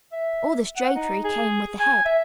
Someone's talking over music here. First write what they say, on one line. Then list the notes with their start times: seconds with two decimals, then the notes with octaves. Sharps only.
All this drapery came with the head.
0.12 E5
0.77 F#5
0.96 D#4
1.25 G#4
1.80 G#5
2.06 E5